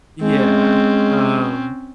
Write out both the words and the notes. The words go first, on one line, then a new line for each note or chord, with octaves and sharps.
Yeah, um,
G#3 C4 C#4